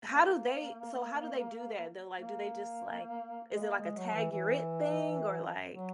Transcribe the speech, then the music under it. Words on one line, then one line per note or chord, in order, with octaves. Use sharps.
how do they so how do they do that? They're, like do they just, like is it like a "tag, you're it," thing or like
A#3
A#3
G#3
A#3
G#3
F#3
E3
E3
F#3